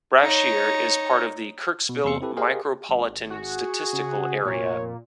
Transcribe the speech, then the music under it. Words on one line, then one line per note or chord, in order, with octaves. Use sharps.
Brashear is part of the Kirksville Micropolitan Statistical Area.
D#4 C#5
B2
E2 C3 A#3 C6 E6 C#7
C4 E4 G4 A4 B4
G4 G#4 A#4 C5 D#5 F5
G#1
F#4 G#4
C#3
F1 A#2 C#5